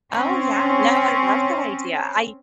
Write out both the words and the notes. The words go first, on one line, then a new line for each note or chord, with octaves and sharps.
Oh, yeah, no, I love that idea. I
C4 C#4